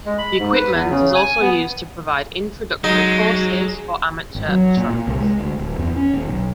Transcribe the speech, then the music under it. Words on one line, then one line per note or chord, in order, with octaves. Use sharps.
The equipment is also used to provide introductory courses for amateur astronomers.
G#3
B5
G#2
B4
E2
C#3
G#5
B3
F#3 G#3 D#4
G#1
F#3
A#2
A#2
C2
G#3
D2
D1
E2
C#4
D#1
B1